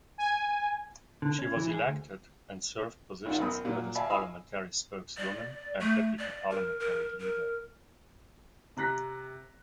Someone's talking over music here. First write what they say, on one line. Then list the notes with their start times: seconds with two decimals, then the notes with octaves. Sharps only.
She was elected and served positions that is parliamentary spokeswoman and deputy parliamentary leader.
0.18 G#5
1.22 D3
1.39 C#4
1.56 E3
1.71 G#4
1.85 D2
3.26 G#1 D#3 F4 F#5
3.40 F#2 B2 C4 B5 D#6
3.65 A#2 F#3
3.95 D5 E5 F5 G#5 A5 B5
4.09 D#5 F5 G#5 B5 D#6 E6
5.17 D5
5.80 A3
6.19 D5
6.50 A#4
6.80 A#4
7.20 A#4
8.77 C3 A#5 F#6 A#6 B6